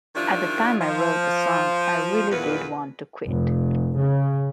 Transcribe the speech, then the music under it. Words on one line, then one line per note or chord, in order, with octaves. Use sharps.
At the time I wrote the song, I really did want to quit.
D#3 F3 G3 D4 E4 F4
F3
E2 A#2 B4
F1
C#3